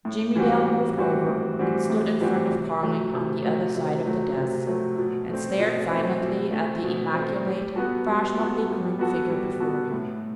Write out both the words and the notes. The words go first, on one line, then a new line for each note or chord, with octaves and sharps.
Jimmie Dale moved over, and stood in front of Carling on the other side of the desk--and stared silently at the immaculate, fashionably groomed figure before him.
A2
E3 G3 C4 F#4
A2
E3 G3 C4 F#4
A2
E3 G3 C4 F#4
A2
E3 G3 C4 F#4
C3
F#3 A3
C3
F#3 A3
C3
F#3 A3
C3
F#3 A3
B2
A3 C4
B2
A3 C4
B2
A3 C4
B2
A3 C4
G3
B3 F#4 A4
G3
B3 F#4 A4
G3
B3 F#4 A4
G3
B3 F#4 A4
A2